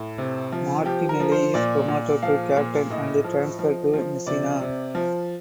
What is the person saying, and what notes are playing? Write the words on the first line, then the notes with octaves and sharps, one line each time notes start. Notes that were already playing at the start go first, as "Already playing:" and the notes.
Martinelli is promoted to captain and transferred to Messina.
Already playing: A2
C3
F3
F3 G4
A#4
F3
C5
A#2 D5
A#2
F3 F5
A#2
A2 D#5
F3
F3
F3
C3 D5
C3
F3